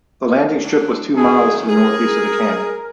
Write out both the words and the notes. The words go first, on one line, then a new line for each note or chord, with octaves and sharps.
The landing strip was two miles to the northeast of the camp.
F#3 C#4 D4
F#2 D#3 G#4
G#4 A#4